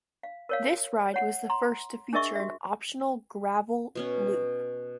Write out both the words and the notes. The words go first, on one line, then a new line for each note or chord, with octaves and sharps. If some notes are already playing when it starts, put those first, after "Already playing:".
This ride was the first to feature an optional gravel loop.
F5
A#4 C#5 F5
C#5 F#5
A#5 C6
D4 G#4 A#4 D#5 E5 C#6
F#4 E5
B2 B3 C#4